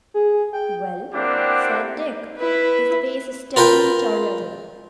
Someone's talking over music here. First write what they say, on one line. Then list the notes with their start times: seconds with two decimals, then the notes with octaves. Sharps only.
'Well?' said Dick, his face steadily turned away.
0.14 G#4
0.53 G5
1.13 A#3 C4 D4 E4 G4 F#5
2.37 E4 B4
3.56 F4 A#4 B4 G5